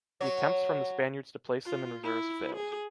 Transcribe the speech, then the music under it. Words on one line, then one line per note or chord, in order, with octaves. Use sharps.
The attempts from the Spaniards to place them in reserves failed.
F#3 C#5
F4
E4
G#4